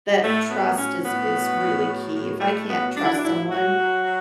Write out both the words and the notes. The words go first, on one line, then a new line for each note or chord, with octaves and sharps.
that trust is is really key. If I can't trust someone,
A2 A3
F#3 B3
A2 C#4
A2 B3
F#3
A2
F#3
A2
A2 A3
F#3 B3
F#3 D4
E4
D4
A2 E4
F#3 F#4
F#3
F#3